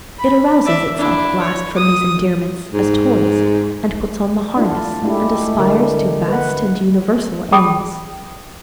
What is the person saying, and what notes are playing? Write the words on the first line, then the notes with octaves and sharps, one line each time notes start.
It arouses itself at last from these endearments, as toys, and puts on the harness and aspires to vast and universal aims.
B5
D5 E5
D4 E4
C#5
D#6
G#2
A3 D4 E4 F4
G#3 A3 D4 E4 G4
D3 G3 G#3 D4 A#4
B4 F#5
G#4 G5 A5 B5 D#6